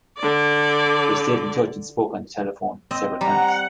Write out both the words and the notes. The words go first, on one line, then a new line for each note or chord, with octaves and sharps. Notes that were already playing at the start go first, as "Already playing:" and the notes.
They stayed in touch and spoke on the telephone several times.
D3 D5
C4 D#5
G3 F#5 A#5